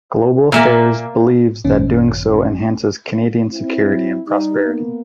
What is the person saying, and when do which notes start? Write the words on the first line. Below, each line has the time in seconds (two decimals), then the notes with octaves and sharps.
Global Affairs believes that doing so enhances Canadian security and prosperity.
0.52 A#2 A#3 E5 F5
1.64 G#1 F#2 A#2 D#3 C#4
3.50 C4 E4
3.88 F#3
4.27 G3 D#4
4.66 A#3 B3